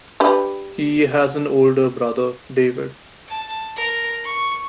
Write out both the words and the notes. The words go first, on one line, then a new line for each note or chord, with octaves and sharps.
He has an older brother, David.
D4 G4 B4
A5
A#4
C#6